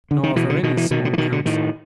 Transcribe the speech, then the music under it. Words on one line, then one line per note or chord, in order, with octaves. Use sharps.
Nor for any small Council.
D3
D#3
B2 E3
D3
B2 D#3
E3
B2 D#3
D3
E3
B2 D#3
D3
A2 D#3